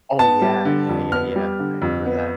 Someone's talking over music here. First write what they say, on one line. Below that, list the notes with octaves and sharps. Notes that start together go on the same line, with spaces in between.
Oh, yeah, yeah, yeah, yeah, I remember that.
B3 A5
G3
D3
F2
B3 F6
G3
D3
F2
B3